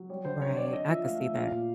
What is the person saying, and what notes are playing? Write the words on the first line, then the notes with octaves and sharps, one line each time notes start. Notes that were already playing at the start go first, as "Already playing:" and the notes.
Right. I could see that.
Already playing: F#3
G3 C#5
D3 C5
D3 C#5
C4 D5
D4 D#5
F3 E5
A3 F5
A3 E5
A#2 F5
A#2